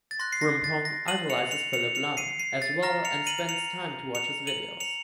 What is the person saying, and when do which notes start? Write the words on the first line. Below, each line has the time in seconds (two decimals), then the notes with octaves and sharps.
Frimpong idolises Philip Lahm as well and spends time to watch his videos.
0.11 A6
0.19 C6 F#6 A#6
0.33 C7
0.41 A#6
0.64 A6
0.85 A#6
1.08 D#7 F#7
1.30 C#7 F7
1.51 C#7 F7
1.73 C#7 F7
1.95 C#7 F7
2.17 C7 D#7
2.40 C7 D#7
2.62 A6
2.83 A#5 F6 A#6
3.05 C#7 F7
3.27 D#7 F#7
3.38 D#7
3.49 C#7 F7
4.15 C#7 F7
4.47 D#7 F#7
4.80 C#7 F7